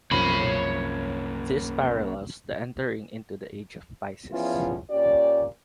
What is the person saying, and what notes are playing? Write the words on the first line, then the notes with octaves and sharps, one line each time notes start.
This parallels the entering into the Age of Pisces.
C2 F#2 F3 A#3 C#4 C#5 B5
E2 F3 B3 C#4 E4 F4
A#2 C#4 G4 D5